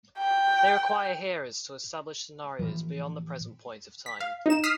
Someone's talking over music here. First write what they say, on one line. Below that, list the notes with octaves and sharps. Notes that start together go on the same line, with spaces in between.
They require hearers to establish scenarios beyond the present point of time.
G5
A2 C#3 E3 F3
B6
F5
D#4 E7
D#6 F6 B6 C7 E7